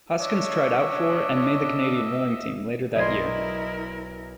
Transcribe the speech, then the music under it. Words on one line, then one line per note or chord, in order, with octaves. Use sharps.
Hoskins tried out for and made the Canadian rowing team later that year.
D4 C#5 D#5 E5
B1 E4 A#4 D5 D#5 C6 G#6